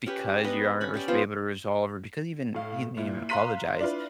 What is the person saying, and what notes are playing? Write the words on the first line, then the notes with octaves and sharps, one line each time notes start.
because you aren't res be able to resolve or because even he didn't even apologize,
C#4 G4 B4
B3 D4 B4 D#5
C#4 B5
C#4 G4 D5
B3 F4 C5
A2 F5
A#2 E4
F5 A#5 C6 F#6 B6 D#7
D4 E4 F4 B4